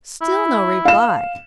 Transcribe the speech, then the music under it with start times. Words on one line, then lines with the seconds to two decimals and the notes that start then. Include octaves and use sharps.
Still no reply.
0.21 E4
0.85 F5 E7